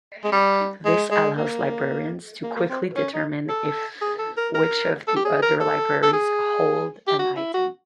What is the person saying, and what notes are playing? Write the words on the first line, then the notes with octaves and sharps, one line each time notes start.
This allows librarians to quickly determine which of the other libraries hold an item.
G#3
G3
G#3
G#3
A#3
A#3
A#3
C4
C#4
D#4
A4
G#4
A4
A#4
A#4
A4
G4
G#4
A#4
A4
A4
G#4
G4
F#4
E4
F#4